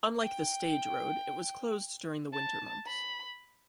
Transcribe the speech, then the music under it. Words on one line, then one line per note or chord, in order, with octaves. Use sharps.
Unlike the stage road, it was closed during the winter months.
G5
A5
B5